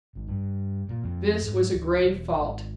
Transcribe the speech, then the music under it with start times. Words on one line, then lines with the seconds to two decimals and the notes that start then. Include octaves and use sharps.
This was a grave fault.
0.15 G#1
0.28 G2
0.89 A#2
1.04 F2
1.44 G#2
1.74 D1
2.04 E1
2.37 G#1